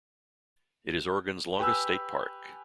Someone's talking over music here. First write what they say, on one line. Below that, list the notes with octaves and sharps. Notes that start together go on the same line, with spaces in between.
It is Oregon's longest state park.
G4 B4 G#5 E6